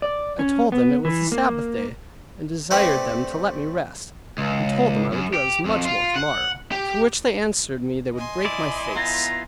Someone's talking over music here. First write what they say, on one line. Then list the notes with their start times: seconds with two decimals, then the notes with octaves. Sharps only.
I told them it was the Sabbath day, and desired them to let me rest, and told them I would do as much more tomorrow; to which they answered me they would break my face.
0.02 D5
0.39 C#4
0.72 B3
1.05 E3
1.32 A#3
2.71 A3 C4 D4 G4 B4 F#5
4.38 C#2
5.12 F#2
5.34 G4
5.65 F2
5.85 F4
6.16 F#5
6.72 G4
8.14 D#5 G#5 C6
8.45 E4 D5
8.96 B3 E4 F4 A#5